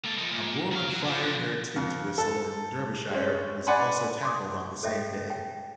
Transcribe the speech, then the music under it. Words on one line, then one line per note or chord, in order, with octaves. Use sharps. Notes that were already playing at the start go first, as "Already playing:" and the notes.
A moorland fire near Tintwistle in Derbyshire was also tackled on the same day.
A#3 A4
F3 D#4
A#2
D#2 F5
F#3
F3 D4
F2
A4
G#3 C#4
D5 F#5 G#5 B5 C6
C6 D6 D#6
A4 C#5 D#5 E5 G5
G5